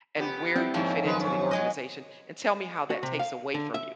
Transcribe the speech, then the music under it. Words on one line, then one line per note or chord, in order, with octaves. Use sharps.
and where you fit into the organization, and tell me how that takes away from you."
F2 B3 G4
G3 C4 E4
G#2 F3 A#3 C#4
F#2 D#3 G#3 B4
A2 C#4
F#3 G#3 D#5
F#4
C3
F5
D3
E5